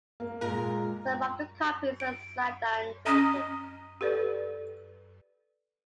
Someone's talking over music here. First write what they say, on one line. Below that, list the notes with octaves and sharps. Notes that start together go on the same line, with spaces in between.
Some of the copies are signed and dated.
A#3
A#2 G#3 A#4
D7
C#4 D#5 A#5
G4 A4 B4 D5